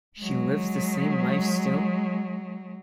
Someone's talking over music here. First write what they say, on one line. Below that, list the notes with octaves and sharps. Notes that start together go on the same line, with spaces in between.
She lives the same life still?
F#3 G#3